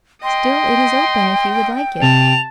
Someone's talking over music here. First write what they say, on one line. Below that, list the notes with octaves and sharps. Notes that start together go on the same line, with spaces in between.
Still it is open, if you would like it.'
D#5 G5 C6
C3 A5 F7